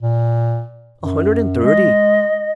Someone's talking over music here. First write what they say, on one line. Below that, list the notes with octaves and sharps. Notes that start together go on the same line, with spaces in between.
"A hundred and thirty."
A#2
F#2
G#3 D#5